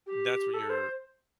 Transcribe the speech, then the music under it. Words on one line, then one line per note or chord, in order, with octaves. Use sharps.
that's what your
G4
A4
C5